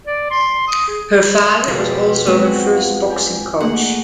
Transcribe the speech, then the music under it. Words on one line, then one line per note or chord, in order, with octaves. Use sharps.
Her father was also her first boxing coach.
D5
C6
D#6
G#4
F2 B2 G3 G#3 D#5
G#3 B3 C4 F#4
F4
G4 G#5
A3 A#3 G#4 F#5